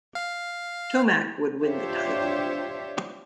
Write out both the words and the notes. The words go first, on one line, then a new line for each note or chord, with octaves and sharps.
Tomac would win the title.
F5
D4 F4 G4 C5 C#5 E5